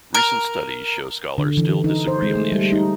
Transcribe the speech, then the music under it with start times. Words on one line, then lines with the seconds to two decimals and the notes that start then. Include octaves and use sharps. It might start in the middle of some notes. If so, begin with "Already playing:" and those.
Recent studies show scholars still disagree on the issue.
0.14 A#4
1.38 D3
1.57 E3
1.84 D#4
2.07 C5
2.22 G#3
2.35 A3
2.52 G3
2.72 D#4